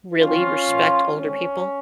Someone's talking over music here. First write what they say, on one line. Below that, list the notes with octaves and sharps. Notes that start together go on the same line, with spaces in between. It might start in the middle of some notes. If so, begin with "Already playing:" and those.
really respect older people
D#3 F#3 C4 C#4 F4
A#2 F3 A#3
D#3 G#3 C4 C#4